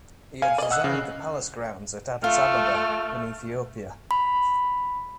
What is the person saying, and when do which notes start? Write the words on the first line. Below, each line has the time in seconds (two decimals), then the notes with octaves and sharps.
He had designed the palace grounds at Addis Ababa in Ethiopia.
0.42 F5 G#5
0.58 D5 D#5
0.71 F#5 E6 F#6
0.84 C#3
2.24 A3 F4 F6
4.11 B5